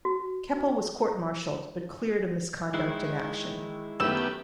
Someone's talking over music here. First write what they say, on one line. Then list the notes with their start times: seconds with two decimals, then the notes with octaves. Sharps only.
Keppel was court-martialled but cleared of misconduct in action.
0.05 F#4
2.74 D#3 E3 G#3 E4
4.00 F#2 D#3 A3 B3 G4 E6